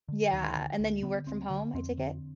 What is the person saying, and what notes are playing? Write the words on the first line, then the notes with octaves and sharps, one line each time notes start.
Yeah, and then you work from home, I take it?
D3
D2 D#3
D3
D2
D3 B3
D2 C4
D3
F2 C4
D3